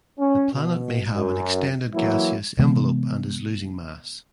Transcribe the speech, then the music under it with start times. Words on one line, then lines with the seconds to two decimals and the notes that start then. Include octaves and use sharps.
The planet may have an extended gaseous envelope and is losing mass.
0.19 C#4
0.53 B2
1.12 F#2
1.94 E3 F#3 A#3 E4
2.59 C3 E3 G#3 B3